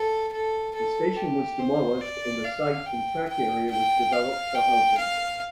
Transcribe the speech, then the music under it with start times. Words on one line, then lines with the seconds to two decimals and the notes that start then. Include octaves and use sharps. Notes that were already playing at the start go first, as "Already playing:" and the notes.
The station was demolished and the site and track area was developed for housing.
Already playing: A4
0.33 A4
0.75 A4
1.17 G4
1.60 C5
2.01 D5
2.44 F5
2.86 G5
3.29 G5
3.71 G5
4.12 F5
4.55 G5
4.98 F5